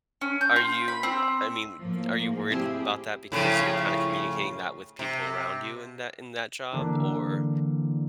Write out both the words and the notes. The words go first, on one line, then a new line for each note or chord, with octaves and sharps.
Are you I mean, are you worried about that because you're kinda communicating that with people around you in that in that job, or,
C#4
G6
F4
B5
C4
A2 F3 A#3
F3 C4 E4 G4 G#4
A2 C#3 F3
C3
D3 E3 G3 A#3 C4 D4